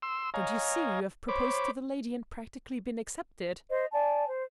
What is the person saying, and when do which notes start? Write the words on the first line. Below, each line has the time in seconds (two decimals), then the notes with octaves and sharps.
"Don't you see you have proposed to the lady and practically been accepted?"
0.02 C6 E6
0.34 C#5 D#5 F5 G#5 A#5
1.28 C5 C#5 B5 D6
3.71 C5 D#5
3.93 D5 G#5 A5
4.28 C5